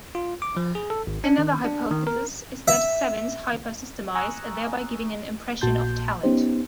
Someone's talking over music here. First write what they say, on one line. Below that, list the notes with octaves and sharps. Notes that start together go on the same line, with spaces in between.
Another hypothesis is that savants hyper-systemize, thereby giving an impression of talent.
F4
D6
F3
G#4
A4
G#1
D4
D#3
D4
D#3
A#4
E5
G#5 A#5 C#6 D#6 E6 F#6
A#1 A#2 F#4 A5 C6 G6
B3 C#4 D#4 G4 C5